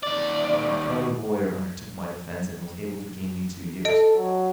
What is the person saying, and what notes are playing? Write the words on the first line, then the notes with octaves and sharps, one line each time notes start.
A clever lawyer undertook my defence and was able to gain me two years.
D#2 D5
A4 D#5 D7
F#3